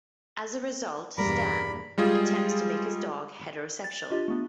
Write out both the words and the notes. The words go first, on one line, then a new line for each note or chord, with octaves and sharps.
As a result, Stan attempts to make his dog heterosexual.
E2 G2 B2 G3 A#3 A#4 B5
G3 G#3 F4 G#4
A6
D4 F4 G4 D#5
A3 B3 D4